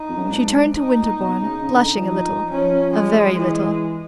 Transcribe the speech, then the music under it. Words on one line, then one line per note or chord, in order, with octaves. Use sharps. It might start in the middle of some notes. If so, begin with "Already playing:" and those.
She turned to Winterbourne, blushing a little--a very little.
Already playing: D#4
F2
F#2
G2
G#2 D4
D#4
A#2
B2
C#3
C#3
D3
F3
D#4
F3 C#4
G#3
E3 G#3